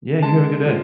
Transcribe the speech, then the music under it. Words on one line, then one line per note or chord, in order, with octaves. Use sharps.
Yeah. You have a good day.
G#3 A5
F3